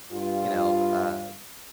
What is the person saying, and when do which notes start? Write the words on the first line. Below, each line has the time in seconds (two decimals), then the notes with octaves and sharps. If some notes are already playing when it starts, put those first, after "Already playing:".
you know, uh,
0.13 G2 F4